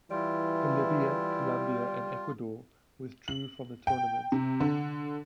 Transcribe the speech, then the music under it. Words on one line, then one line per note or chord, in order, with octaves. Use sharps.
Bolivia, Colombia, and Ecuador withdrew from the tournament.
E3 G3 E4 F4
F#7
G5
C3
D3